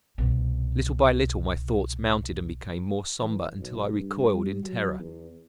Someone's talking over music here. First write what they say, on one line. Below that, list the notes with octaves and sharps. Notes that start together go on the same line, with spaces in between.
Little by little, my thoughts mounted and became more somber until I recoiled in terror.
C2 B2
E3
B1
G2
G3
F#3
E2